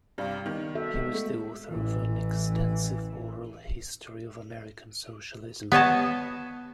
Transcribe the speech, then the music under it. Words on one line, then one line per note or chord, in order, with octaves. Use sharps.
He was the author of an extensive oral history of American socialism.
G2 C3 G4 D5 F5
D#3 B3
F#4 A4 E5
G#3 B3
A3
A1 E3
B3 C#5 D#5 A5